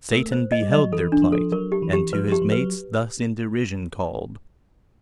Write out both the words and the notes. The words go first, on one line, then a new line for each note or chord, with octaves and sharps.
SATAN beheld thir plight, And to his Mates thus in derision call'd.
A3 A#4
C5
D#5
G3
D#5
F#3
E3 A4
D4
F3
A4
F#3 A#4
G4
E3
G4
F3 B4
F3 G4
F3
B4
F#3